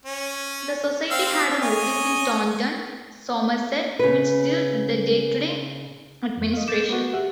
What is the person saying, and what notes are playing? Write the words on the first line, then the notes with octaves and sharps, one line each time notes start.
The Society had an office in Taunton, Somerset, which dealt with day-to-day administration.
C#4
C4 F5 E6
C#5 D#5 G#5
C#3 B4
F2
D#5 F5
D6 G6 A6 E7
B3 F#4
G4 E5 F#5 F#6